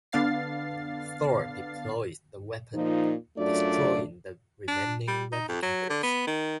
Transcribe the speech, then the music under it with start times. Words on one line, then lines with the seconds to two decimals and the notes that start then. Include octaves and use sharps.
Thor deploys the weapon, destroying the remaining replicators.
0.12 D3 B3 D4 F5 A6 C7
2.74 A#2 F3 D#4
3.37 F#2 A3 D4 F4 D5
4.68 D4
5.08 G3
5.32 D#4
5.48 F2
5.62 F#3
5.90 D3
6.03 B3
6.27 D#3